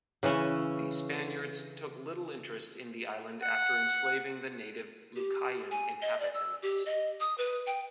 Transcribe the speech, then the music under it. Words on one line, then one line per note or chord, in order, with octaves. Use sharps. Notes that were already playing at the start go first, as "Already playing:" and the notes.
The Spaniards took little interest in the island after enslaving the native Lucayan inhabitants.
C#3 E3 C#4 E4
F#5
G4
G#5
D#5
D5
E6
G4
D#5
D#6
B4
G5